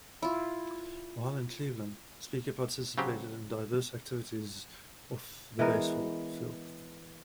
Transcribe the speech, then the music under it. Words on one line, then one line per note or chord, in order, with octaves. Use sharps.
While in Cleveland, Speaker participated in diverse activities off the baseball field.
E4 F4
C#3 F#3 C4 G4
E3 G#3 B3 A#4